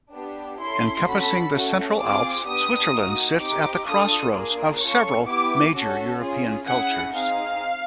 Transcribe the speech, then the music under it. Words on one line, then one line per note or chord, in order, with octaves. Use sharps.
Encompassing the Central Alps, Switzerland sits at the crossroads of several major European cultures.
B3 D4 G4
C#4 E4 A4 C6
C#4 F#4 A4 B5
A3 C#4 F#4 A4
C4 F4 G#4 D6
B3 D4 G4 D#6
A#3 D#4 F#4
C4 D#4 G4 D6
D4 F4 A4 D#6
A#3 D4 F4 G#4
C#4 F4 A4 C#6
B3 E4 G4 D6
C#4 F#4 A4
C#4 F4 G#4
C#4 E4 G#4 F#5
C4 D#4 G#4 F5